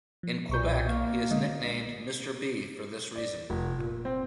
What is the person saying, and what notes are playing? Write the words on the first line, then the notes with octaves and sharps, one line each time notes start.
In Quebec, he is nicknamed Mister B for this reason.
F3
B1 A#2 C#6 G6
A#3
D3 G#3 D#5
D5
F1
A#2
C4